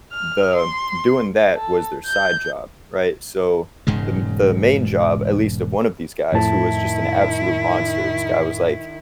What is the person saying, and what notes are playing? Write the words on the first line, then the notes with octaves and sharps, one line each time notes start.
the doing that was their side job right? So, the the main job, at least of one of these guys who was just an absolute monster. This guy was, like,
F6
C6
A4
G6
E1 G#2 C#3 G#3
F2 A2 D#3 E4 A5